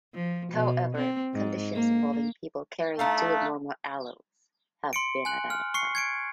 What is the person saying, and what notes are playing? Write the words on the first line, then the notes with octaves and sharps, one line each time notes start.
However, conditions involving people carrying two abnormal alleles have been identified.
F3
B2
C4
G#2
A#3
A3 D4 D#4 F5
C6 C#7 D7
G#5 F#6 F#7
F6
C#6 C7 C#7
G#6 C#7 D7